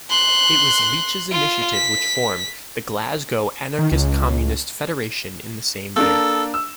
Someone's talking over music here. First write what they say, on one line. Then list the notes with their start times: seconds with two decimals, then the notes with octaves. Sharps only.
It was Leech's initiative which formed the Glasgow Anarchist-Communist Federation in the same year.
0.10 C6 F#6
1.31 F4
1.74 B6
3.79 D#3
3.92 C#2
5.96 A#3 D4 A4 A#4
6.54 E6